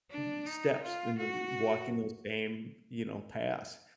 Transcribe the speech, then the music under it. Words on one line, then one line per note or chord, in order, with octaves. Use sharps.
b steps, in the walking those same, you know, paths
D4
D#4
F4
F#4